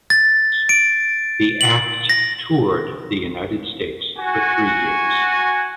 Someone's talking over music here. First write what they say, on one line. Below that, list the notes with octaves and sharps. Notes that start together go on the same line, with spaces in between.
The act toured the United States for three years.
A6
D7
F#7
A#6
F#4 G#5